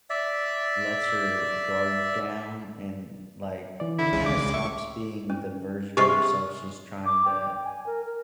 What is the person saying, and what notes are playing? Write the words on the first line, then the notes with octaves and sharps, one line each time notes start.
lets her guard down and, like, kinda stops being the version of herself she's trying to
D5 E5
E3 D5
D3 E4
C#2 C#3 G#3
D6
E5 C#6
C#4
C3 G#3 F4 G4 C#6
D6
G5
G#5
A#4
A#4